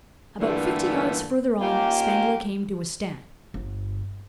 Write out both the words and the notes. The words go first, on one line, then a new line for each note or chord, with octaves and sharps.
About fifty yards further on, Spangler came to a stand.
G2 A#2 D3 E3 G3 A3
A#3 C#4 D#4 F4 G4
G1